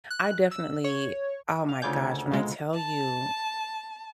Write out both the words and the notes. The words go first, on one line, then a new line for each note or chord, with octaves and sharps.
I definitely oh my gosh, when I tell you,
F#6
E6
C#5
F5
D2 C#3 F4 G#5 D6 G6
B2 G#3 F4
A5